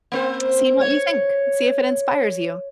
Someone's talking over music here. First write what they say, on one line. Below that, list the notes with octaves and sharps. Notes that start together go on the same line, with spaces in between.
seeing what you think. See if it inspires you.
A#3 C4 C5
C#5